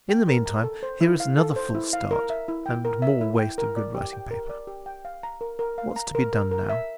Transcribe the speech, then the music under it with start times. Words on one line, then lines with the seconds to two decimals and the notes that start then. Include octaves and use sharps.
In the meantime, here is another false start, and more waste of good writing-paper. What's to be done now?
0.09 G5
0.28 A#4
0.46 A#5
0.64 A4
0.83 C5
1.01 E4
1.20 F5
1.38 A4
1.56 C5
1.75 E4
1.93 F5
2.11 A#4
2.30 E5
2.48 E4
2.66 G5
2.85 A#4
3.02 E5
3.21 E4
3.39 G5
3.58 A#4
3.76 D5
3.94 G4
4.13 G5
4.31 A#4
4.50 D5
4.67 G4
4.86 G5
5.05 F5
5.23 A#5
5.41 A#4
5.59 A#4
5.78 F5
5.96 A#5
6.15 A#4
6.33 A#4
6.51 A#4
6.69 E5